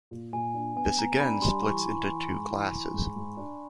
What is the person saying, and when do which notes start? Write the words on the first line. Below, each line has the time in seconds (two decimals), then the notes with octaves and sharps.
This again splits into two classes.
0.11 A#2
0.33 A#2 G#5
0.54 D4
0.76 B3 G#5
0.98 B3 A#5
1.20 D4 B5
1.42 G3 C6
1.63 E3 C#6
1.85 E3
2.07 E3
2.28 G#2
2.51 E3
2.72 E3
2.94 G#2
3.16 G#2
3.37 D4